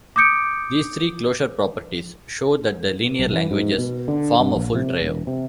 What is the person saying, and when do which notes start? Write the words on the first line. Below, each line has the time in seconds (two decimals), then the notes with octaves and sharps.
These three closure properties show that the linear languages form a full trio.
0.16 D6 D#6 G6 C#7 D7
3.19 B1
3.33 E3
3.51 G#2
3.78 B2
4.08 D3
4.40 G2
4.56 A#1
4.75 C3
5.02 E1
5.27 C3